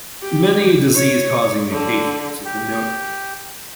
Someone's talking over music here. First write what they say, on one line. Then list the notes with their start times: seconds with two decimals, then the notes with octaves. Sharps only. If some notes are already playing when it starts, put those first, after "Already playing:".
Many disease-causing mutations have been noted.
0.22 G4
0.94 C#5
1.71 D3
2.45 G4